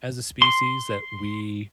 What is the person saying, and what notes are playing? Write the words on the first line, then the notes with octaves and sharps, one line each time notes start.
as a species that we
C6